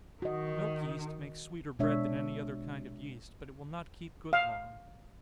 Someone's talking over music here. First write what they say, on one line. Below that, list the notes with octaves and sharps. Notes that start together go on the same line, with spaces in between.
Milk yeast makes sweeter bread than any other kind of yeast, but it will not keep good long.
D#3 F#4 D#5
B2 G#3 D4 C#5 E5
F5